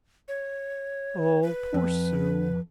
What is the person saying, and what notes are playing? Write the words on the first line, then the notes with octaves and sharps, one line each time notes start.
"Oh, poor Sue!"
C#5
B4
F2